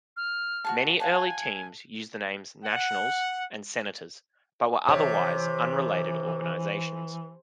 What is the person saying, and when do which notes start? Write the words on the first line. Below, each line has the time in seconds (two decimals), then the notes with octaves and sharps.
Many early teams used the names "Nationals" and "Senators" but were otherwise unrelated organizations.
0.17 F6
0.65 F#4 G#4 A5
1.00 F5 F#5 G#5 A5
2.64 F#5
4.89 C3 E3 C#5